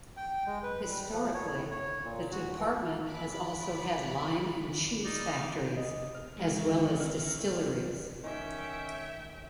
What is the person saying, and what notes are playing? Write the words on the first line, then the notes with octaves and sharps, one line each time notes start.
Historically, the Department has also had lime and cheese factories, as well as distilleries.
G5
G#3
B4
G3
F3
C#5
A2
C#5
A#2
F#4
E3
D5 B5 F#6
D#4 D5 F6
D#5
F6
F#3 G#3
C4 E4 F6
D#3 C#4 E5 G5